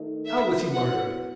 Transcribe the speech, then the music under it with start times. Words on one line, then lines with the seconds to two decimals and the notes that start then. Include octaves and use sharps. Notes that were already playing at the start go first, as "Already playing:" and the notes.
How was he murdered?
Already playing: D#3 A3 D#4
0.25 E5
0.72 F#3 B3 E4 F#5